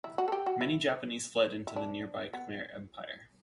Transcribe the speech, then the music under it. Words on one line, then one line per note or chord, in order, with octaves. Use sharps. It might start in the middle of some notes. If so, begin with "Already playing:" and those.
Many Japanese fled into the nearby Khmer Empire.
E4
F#4
A4
G4
F#4
E4
E4
D4
B3